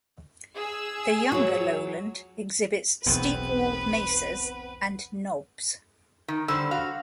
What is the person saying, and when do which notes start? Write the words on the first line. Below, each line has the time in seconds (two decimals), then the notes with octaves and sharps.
The younger lowland exhibits steep walled mesas and knobs.
0.55 G#4 E6
1.32 F#3 F#4
3.06 E1 B1 G#2 B3 C4 B4
6.28 D#3
6.48 D3 G3 C5 E6
6.71 F#4 F5